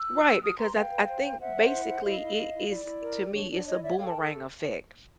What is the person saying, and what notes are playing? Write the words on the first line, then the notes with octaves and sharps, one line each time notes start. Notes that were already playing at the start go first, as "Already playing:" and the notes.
Right, because I I think, basically, it is, to me, it's a boomerang effect.
Already playing: E6 F#6
F4
D4
F#4 D#6 F6
B4 A#5 C6
B4 F5 G5
B4
C5
C5
C5 E5 F#5
C5
E4
C5
E4 D#5 F5
E4
E4
E4
E4 D5
E4
A#4
G4
D4 C#5
D4 D5
E4 C#5 D#5
C#5 D5 E5
A4 F5 G5
G5 A5
A4